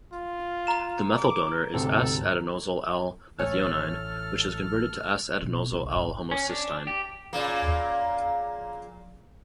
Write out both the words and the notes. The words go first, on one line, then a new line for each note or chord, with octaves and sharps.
The methyl donor is S-adenosyl-L-methionine, which is converted to S-adenosyl-L-homocysteine.
F4
A#5 E7
D6
D2 G#2 C3 A4
A1 A3 A4 C#5 G#5 F6
B2
C2
A2
C#4
D4
G4
A#2 C#3 A#3